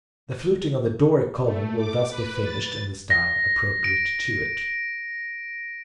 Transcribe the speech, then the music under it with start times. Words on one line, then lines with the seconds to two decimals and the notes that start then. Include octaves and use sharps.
The fluting of the Doric column will thus be finished in the style appropriate to it.
1.44 A3
1.76 D6
2.09 B4
2.43 A6
3.10 A#6
3.84 D7